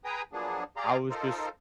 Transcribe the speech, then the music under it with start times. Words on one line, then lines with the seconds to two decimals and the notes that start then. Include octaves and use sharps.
I was just
0.05 G#4 B4 G5 G#5 A#5 D#6
0.33 F3 F#3 A#3 B3 D4 G#4
0.77 G4 G#4 D5 F5 A#5 C6
1.10 D#4 F4 A4 A#4 C5